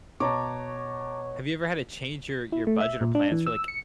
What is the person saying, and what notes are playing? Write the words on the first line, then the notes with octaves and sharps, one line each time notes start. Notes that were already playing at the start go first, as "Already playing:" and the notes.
Have you ever had to change your your budget or plans for, like,
B2 C#5 A5 A#5 D6
E4
A3
E5
A#2
D4
E3
E6
C#7